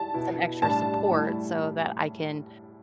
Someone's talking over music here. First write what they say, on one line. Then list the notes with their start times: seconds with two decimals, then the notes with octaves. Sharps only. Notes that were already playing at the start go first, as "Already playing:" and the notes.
some extra support so that I can,"
Already playing: A5
0.14 B2 B3 E4
0.62 A2 G3 D4 A5
1.11 A2 G3 E4